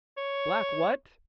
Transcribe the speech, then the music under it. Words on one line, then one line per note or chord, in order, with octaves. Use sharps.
"Black what?"
C#5